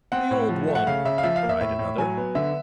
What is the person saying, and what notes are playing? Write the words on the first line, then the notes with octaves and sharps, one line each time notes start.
"The old one," cried another.
C4 F#5
A2
F3
A3
F#5
C#3 F5
C#3 E5
F5
F3 E5
F5
A#3
E5
A2 E5
A2
F#3 G#5
B3
D3 E5